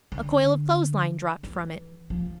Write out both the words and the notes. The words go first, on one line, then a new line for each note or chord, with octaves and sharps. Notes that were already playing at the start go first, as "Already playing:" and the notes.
A coil of clothes line dropped from it.
D3
E3
F3